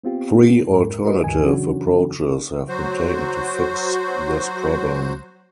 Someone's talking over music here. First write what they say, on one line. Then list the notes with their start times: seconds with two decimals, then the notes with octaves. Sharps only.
Three alternative approaches have been taken to fix this problem.
0.04 B3 C4 F4 G4
0.71 G#2 A#4
1.05 F#4 A#4 B4 D#5
1.24 D2 G2 D#3 G#5
1.44 C#3 E3 F#3 C#4 D4 F#4
2.68 F#3 F#4 C5